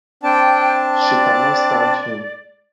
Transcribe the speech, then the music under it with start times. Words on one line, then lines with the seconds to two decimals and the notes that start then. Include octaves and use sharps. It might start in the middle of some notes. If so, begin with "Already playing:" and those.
She cannot stand him.
0.23 C4 D4 G5 A5
1.00 D5